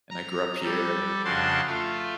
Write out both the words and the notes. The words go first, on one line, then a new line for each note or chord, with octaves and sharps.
and I grew up here."
A#5
G3 A4
F2 C#3 D4 F#4 A5 C6
A3 F4